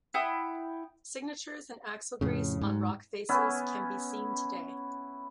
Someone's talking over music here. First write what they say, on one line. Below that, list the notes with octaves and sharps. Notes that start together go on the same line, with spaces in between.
Signatures in axle grease on rock faces can be seen today.
E4 F#5 G5 D#6
F2 A2 C#3
G#2
B3 C#4 E4